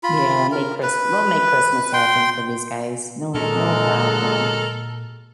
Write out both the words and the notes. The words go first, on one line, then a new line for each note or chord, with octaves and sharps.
Yeah. Make Chris we'll make Christmas happen for these guys. No no problem.
F4 B5
A#4
B4
G5 C6
A#2 D3 F#3 G#3 A4 A#4 F6